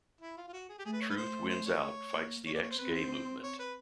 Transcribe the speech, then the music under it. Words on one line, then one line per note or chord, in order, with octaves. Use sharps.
Truth Wins Out fights the Ex-Gay Movement.
E4
F4
F4
F#4
G#4
G4
A3 G#4
B4
C#5
B4
A3 C5
C5
C#5
A#3
A#3 C#5
D5
C#5
C5
C4 B4
C5
C#5
B4